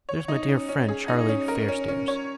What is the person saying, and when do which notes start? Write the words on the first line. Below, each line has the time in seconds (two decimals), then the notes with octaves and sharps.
There's my dear friend Charlie Fairstairs.
0.09 C#5
0.28 D#4
0.48 C#4
0.69 C#4
0.88 G#4
1.08 D#4
1.29 C#4
1.48 A#4
1.68 C#4
1.88 C#4
2.08 C#5